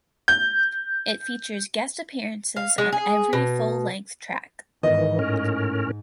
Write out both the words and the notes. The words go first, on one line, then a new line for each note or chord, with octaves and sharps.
It features guest appearances on every full length track.
G6
F5
G#3
G#4
B2
G#2 D#3 E3 D#5
A2 C#4 A#4